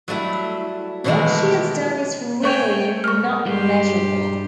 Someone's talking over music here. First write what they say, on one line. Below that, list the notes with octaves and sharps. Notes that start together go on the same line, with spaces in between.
What she has done is really not measurable.
F#3 G3 A3 E4
B2 D#3 E3 F#3 G#3 A3
A3 C5 G5 G#5 C#6 G6
A#4 C#6 F6
G2 G3 G4 C6